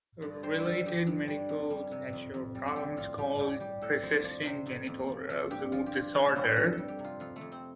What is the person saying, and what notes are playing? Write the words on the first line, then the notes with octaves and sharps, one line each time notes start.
A related medical sexual problem is called Persistent genital arousal disorder.
G2
G3 C5
C5
D3 A4
G2 G4
G2
G3
F2
G3
C3
F2
F2
G3
A4
G3 G4
A2 F4
G3 G4
A2 G4
G3 G4
A2 A4
F2 C5
F3 D5
C3 C5
F2
F2
F3
F3 A4
G2 G4
F3 F4
G4
G2 F4
F3 D4
A3
G2 C4
F2 A3
A4
G3
G4
C3
F4
F2 F4
A3
F2
C4